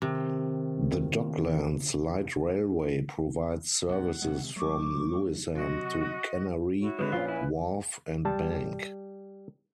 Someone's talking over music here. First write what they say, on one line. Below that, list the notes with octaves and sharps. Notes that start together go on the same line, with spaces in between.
The Docklands Light Railway provides services from Lewisham to Canary Wharf and Bank.
C3 D#3
B1 F2 F#5
C3 D#3 G#3
F#3 A3 C#6 D6
C3 F#3 F#4 D#5
E4 F#4 C#5
G#1 D3 F3 G#3 B4
A#1 A#2 C#4 F4
E4 G#5
G3 A5